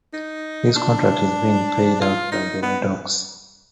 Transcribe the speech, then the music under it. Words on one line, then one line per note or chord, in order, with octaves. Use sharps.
His contract is being paid out by the Redhawks.
D#4
D4
F4
D#4
B3